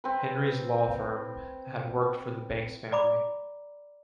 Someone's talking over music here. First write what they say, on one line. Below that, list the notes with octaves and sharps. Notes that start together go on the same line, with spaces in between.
Henry's law firm had worked for the Banks family.
C4 B4
D5 A#5 B5 D6